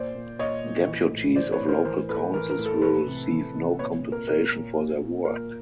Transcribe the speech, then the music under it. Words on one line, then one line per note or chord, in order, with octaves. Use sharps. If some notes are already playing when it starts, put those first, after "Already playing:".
Deputies of local councils will receive no compensation for their work.
Already playing: A#2 C5 D5
A#2
A#2 C#5 D#5
A#2
E3
A2
E3 C5 D5
B4 C#5
A2
A#4 C5
E3 A#4 C5
A2 A4 B4
E3 A#4
A#4
A2
A4
E3 A4 B4
C3
E3
C3
A#2 B4 C#5
A#2
A#4
A#2 A#4
A#2
A#2
A#2
A#2 A#4